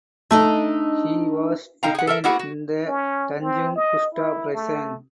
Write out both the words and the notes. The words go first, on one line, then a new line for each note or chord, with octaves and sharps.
He was detained in the Tanjung Gusta prison.
A3 D4 D#4 D#5
B2 D#4 F5 G5 A#5
G#4 F#5
A4 A#4 E5
A#3 B3 E4 F#4 G#4 F#5
F#4
C#4
C4
D#5
E4
A3